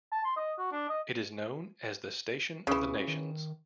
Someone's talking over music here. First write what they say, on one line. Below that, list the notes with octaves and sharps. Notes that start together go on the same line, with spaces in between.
It is known as The Station of the Nations.
A5
C6
D#5
F#4
D4
D#5
D2 C#3 E3
D#3